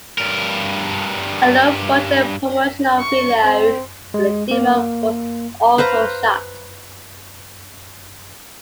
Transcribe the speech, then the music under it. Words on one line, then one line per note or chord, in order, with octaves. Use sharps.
A low-budget promotional video for the demo was also shot.
G2 A#4
C#6
C4
G#3
A#3
B4 C5 F5 A#5